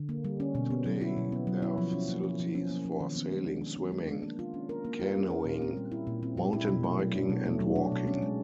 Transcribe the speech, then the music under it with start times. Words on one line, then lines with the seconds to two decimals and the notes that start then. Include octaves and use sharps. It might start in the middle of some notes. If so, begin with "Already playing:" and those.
Today, there are facilities for sailing, swimming, canoeing, mountain biking and walking.
Already playing: D3
0.09 A#3
0.24 G3
0.40 C#4
0.55 B2
0.70 B3
0.86 F#3
1.01 E4
1.17 B2
1.32 B3
1.47 F#3
1.62 E4
1.78 F3
1.93 C#4
2.09 A#3
2.23 F3
2.40 F3
2.55 C#4
2.70 A#3
2.85 F3
3.00 D#3
3.16 B3
3.31 G#3
3.47 D4
3.62 D#3
3.77 B3
3.92 G#3
4.08 D4
4.23 A#3
4.39 F4
4.54 C#4
4.69 A#4
4.85 A#3
4.99 F4
5.16 C#4
5.30 A#4
5.45 A#2
5.62 C4
5.77 G3
5.92 E4
6.07 A#2
6.23 C4
6.37 G3
6.53 E4
6.69 B2
6.84 A3
6.99 F#3
7.15 D4
7.29 B2
7.46 A3
7.61 F#3
7.76 D4
7.92 B2
8.07 C#4
8.22 G#3